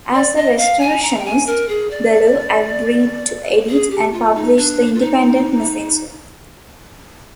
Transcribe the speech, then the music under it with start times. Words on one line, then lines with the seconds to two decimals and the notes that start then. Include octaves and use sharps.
As a Restorationist, Ballou agreed to edit and publish the "Independent Messenger".
0.14 D5
0.36 D#5
0.57 F5
0.80 G#5
1.02 A#5
1.19 G5
1.25 G#5
1.46 A#4
1.69 G#4
1.90 D5
3.68 G#4
3.90 G4
4.13 F4
4.35 D#4
4.56 D4
4.95 F4
5.01 D#4